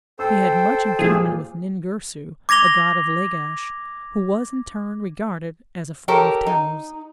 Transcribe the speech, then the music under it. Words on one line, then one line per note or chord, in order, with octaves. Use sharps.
He had much in common with Nin-Girsu, a god of Lagash, who was in turn regarded as a form of Tammuz.
A4 C5 G5 E6
F2 A#2 G3 G#4
D6 G#6 A#6 F7 G7
G4 A4 A#4 C#5
D#4